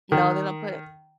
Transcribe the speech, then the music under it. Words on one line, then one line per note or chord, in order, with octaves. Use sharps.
No, they don't put
D#3